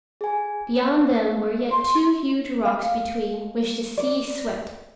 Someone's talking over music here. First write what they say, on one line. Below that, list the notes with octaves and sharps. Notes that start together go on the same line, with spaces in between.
Beyond them were yet two huge rocks between which the sea swept.
G#4 G#5
B3
C6
F5
D5